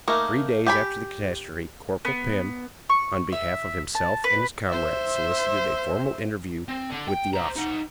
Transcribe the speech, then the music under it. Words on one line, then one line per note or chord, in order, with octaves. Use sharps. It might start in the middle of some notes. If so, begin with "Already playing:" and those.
Three days after the catastrophe, Corporal Pim, on behalf of himself and his comrades, solicited a formal interview with the officers.
A3 A#3 D#4 A#4
G4 G#5 B5
B3
C#6
E5
A5
B4
C5 E5
C4
D3
G5
C5 A#5
D#4 F#5